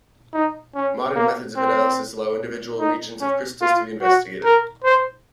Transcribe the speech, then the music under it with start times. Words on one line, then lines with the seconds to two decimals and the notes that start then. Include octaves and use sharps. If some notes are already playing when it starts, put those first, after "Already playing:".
Modern methods of analysis allow individual regions of crystals to be investigated.
0.33 D#4
0.74 C#4
1.15 A#3
1.57 C4
2.79 D#4
3.21 C#4
3.61 F4
4.02 F#4
4.44 A#4
4.84 C5